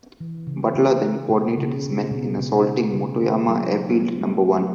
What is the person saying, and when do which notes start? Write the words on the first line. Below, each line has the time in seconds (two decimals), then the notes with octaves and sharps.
Butler then coordinated his men in assaulting Motoyama Airfield Number One.
0.20 E3
0.47 C#3
0.75 C#3
1.29 B2
1.57 C#3
1.84 C#3
2.11 B2
2.38 C#3
2.93 C#3
3.21 D#3
3.39 G#3
3.48 F#3
4.03 B3
4.21 A3
4.54 G#3
4.58 F#3